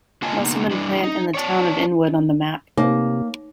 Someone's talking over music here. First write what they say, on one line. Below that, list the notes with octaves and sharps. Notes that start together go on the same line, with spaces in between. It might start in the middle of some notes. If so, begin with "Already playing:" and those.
Musselman plant and the town of Inwood on the map.
D3 A#3 F4 D#5 G#5 A5
C#3 A#3 B3 D#4
G3 D4 E4
D#4
C#5 D5 G#5 A5
C3 A#3 D#4 C#5 D6